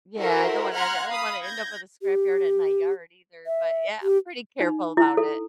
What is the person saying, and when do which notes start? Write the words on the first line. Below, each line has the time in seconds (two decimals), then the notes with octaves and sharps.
Yeah, I don't wanna and I don't wanna end up with a scrap yard at my yard either, but, yeah, I'm pretty careful about it.
0.17 E4 F#4 A4 A#4 C5 E5
0.74 F#5 A#5 C6 F6 F#6 G#6
1.08 F5 B5 D#6
1.43 G6 G#6 A#6
2.02 G4
3.47 E5
4.03 G4
4.61 D#4
4.97 E4
5.17 A4